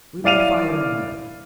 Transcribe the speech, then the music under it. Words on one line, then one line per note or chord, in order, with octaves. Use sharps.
We may fire on them.
E4 D5 F5 D#7 F7